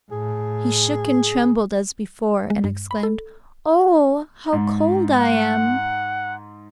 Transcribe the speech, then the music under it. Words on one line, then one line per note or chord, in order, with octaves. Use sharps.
He shook and trembled as before, and exclaimed: 'Oh! how cold I am.'
A2 G#4
G#3
G2
B5
A4
G#2
F#5